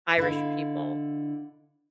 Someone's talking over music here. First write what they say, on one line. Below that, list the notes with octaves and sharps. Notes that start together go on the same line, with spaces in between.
Irish people.
D3 E4 D#5 F5